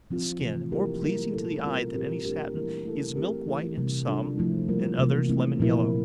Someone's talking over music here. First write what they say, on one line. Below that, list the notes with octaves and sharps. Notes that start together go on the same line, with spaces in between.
The skin, more pleasing to the eye than any satin, is milk-white in some, in others lemon-yellow.
F3 C4 F4
C3 E3 A3
F3 A#3 E4 G4 A#4
G3 A#3 E4 A#4
A#2 A3 E4 A4
G3 C4 F4 A#4
A#2 F3 C4 G4 A#4
A3 D4 G4 A#4
E3 G3 A#3 E4 A#4
A3 E4 A4
A3 C4 G4 A#4
E3 A3 E4
C3 G3 C4
G3 D4 F4 A4
F3 A3 E4
G3 A#3 F4 A#4
C3 E3 A#3
A3 C4 E4
A#2 F3 A#3 E4 A#4